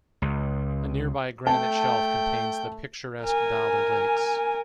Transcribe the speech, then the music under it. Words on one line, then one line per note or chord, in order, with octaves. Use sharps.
A nearby granite shelf contains the picturesque Dollar Lakes.
C#2
A3 G5 A5
A#4 G#5